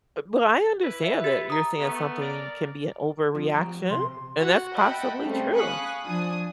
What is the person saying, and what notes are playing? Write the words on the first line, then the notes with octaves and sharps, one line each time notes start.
Bu but I understand that you're saying something can be an overreaction, and that's possibly true.
E4 B4
E5
G4 A6
A#5 D#6
A3 B3
A#4 D5
F2 F3
F3 G4 A#5
C3 C6
F#4
D#5 E5 F#5 G5 A5 B5
C#3 G3 A3 C4
F5 G#5 B5 C#6 D#6 F#6
F3 D4 G#5 D#6